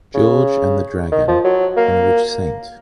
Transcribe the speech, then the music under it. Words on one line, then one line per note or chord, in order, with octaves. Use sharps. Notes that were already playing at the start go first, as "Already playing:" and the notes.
George and the Dragon, in which St..
C#3
D#3
F3
F#3
A#3